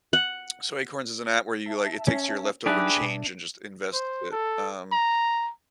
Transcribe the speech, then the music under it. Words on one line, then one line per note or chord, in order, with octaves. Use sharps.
So Acorns is an app where you, like, it takes your leftover change and just invests it, um,
F#5
E5 A5
C#4
F#3 D4 D#4 G4 G#4 B4 E5 A#6
B2
C5
A4
A#5